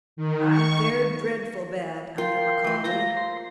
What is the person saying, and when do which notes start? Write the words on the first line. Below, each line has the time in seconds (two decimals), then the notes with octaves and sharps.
I fared dreadful bad under McCaully.
0.17 D#3
0.50 C#6
2.18 F4 A#4 G5 C6
2.64 A3 B4
2.84 A#3 F4 C5 A#6
3.17 C6